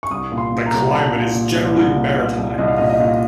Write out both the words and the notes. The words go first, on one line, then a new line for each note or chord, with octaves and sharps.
The climate is generally maritime.
C#6
C2 D#6
A#2
C6
A#2
A#5
C2
C2 A5
A#2
A#2
C2
C2
A#2
A#2
C2
C2 D#5
F5
A#2 D#5
D#5
A#2 F5